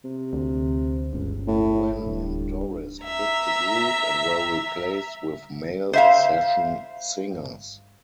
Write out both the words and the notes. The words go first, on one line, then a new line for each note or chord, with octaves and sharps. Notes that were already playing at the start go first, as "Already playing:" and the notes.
Gwen and Doris quit the group and were replaced with male session singers.
C3
D2
G1 C#2
A2
D1 G2
E5 A#5
C5 E5 F5